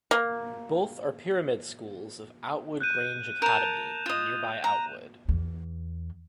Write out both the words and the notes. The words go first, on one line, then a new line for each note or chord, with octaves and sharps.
Both are pyramid schools of Outwood Grange Academy in nearby Outwood.
A#3
F#6 G6 D#7
A#4 A5 G6 E7 F7
F4 D#5
A#5
E2